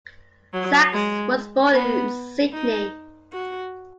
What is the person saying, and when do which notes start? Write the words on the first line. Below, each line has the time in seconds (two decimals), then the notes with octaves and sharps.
Sacks was born in Sydney.
0.53 F#3
0.93 G#3
1.73 B3
2.53 D#4
3.33 F#4